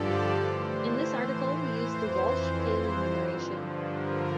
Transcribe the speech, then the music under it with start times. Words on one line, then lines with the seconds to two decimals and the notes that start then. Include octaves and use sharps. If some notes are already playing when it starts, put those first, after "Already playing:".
In this article, we use the "Walsh-Paley numeration".
Already playing: G2 D3 F3 G4 A4 D5
0.30 A2 E3 C5
1.72 F2 E3 C5
2.43 C5
3.13 G2 D3 F3
3.84 A#4